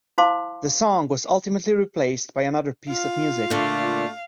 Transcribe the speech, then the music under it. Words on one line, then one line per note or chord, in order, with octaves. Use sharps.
The song was ultimately replaced by another piece of music.
E4 C5 F5 A5 C6 D6
F4 F5
A#2 D3 A3